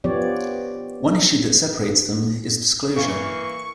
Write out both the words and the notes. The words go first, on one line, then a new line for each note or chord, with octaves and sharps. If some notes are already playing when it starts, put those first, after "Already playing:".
One issue that separates them is disclosure.
F3 B3 G4 C#5 D5
E3 A#3 C#6